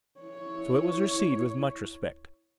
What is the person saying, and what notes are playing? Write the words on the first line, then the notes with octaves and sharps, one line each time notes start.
So it was received with much respect.
E4 C#5